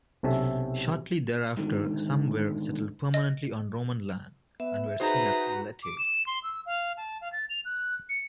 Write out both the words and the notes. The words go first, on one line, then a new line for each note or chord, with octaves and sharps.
Shortly thereafter, some were settled permanently on Roman land, and were seen as "Laeti".
B1 C3 C#4 A4 E5
G#2 D3 D#3
D#5
B3 E5
D#4 F#4 G#4 B4 C5 A#5
D6
E7
C6
E6
F5
A5
F5
A6
F7
F#6
C#7